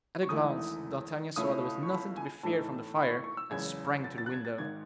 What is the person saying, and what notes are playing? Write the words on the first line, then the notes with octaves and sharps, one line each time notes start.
At a glance D'Artagnan saw there was nothing to be feared from the fire, and sprang to the window.
C#6
E1 E2 D#3 A3 E4 D#6
C#2 B2 A3 C#4 E4 D#6
C#6
B5
G#5
A2 E3 A3 D#4 A5
B5
C#6
C#6
E6
F#1 E2 C#3 G#3 G#6
A6
A6
F#6
G#6
A6
G#1 G#2 D#3 G#6